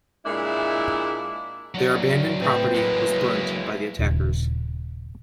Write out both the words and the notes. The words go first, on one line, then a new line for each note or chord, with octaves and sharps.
Their abandoned property was burnt by the attackers.
A#2 G#3 D4 E4
F#3 D4
A2 E3 C4
F#3 G#3 A#3 E4
D#1 C#3